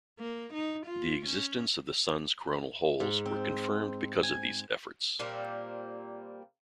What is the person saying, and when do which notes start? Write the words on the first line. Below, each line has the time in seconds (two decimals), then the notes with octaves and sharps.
The existence of the Sun's coronal holes were confirmed because of these efforts.
0.20 A#3
0.54 D#4
0.86 F4
1.26 C#4
3.00 G#2
3.25 C4
4.23 G#5
5.19 A#2 G3 A#3 C4